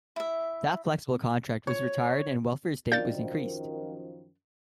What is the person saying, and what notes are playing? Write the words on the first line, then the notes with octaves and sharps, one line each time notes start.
That flexible contract was retired and welfare state was increased.
E4 E5
C#5
F#2 D#3 F3 D4 F4 A#4 G6 A6